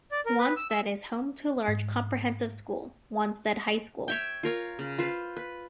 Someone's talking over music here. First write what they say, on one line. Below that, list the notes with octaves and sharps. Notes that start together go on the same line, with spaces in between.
Wanstead is home to a large comprehensive school, Wanstead High School.
D5
A#4
B4
E6
E6
G#2
C#5 E5 G5
F4 A#4 C#5
C#3
F4 B4 C5
B4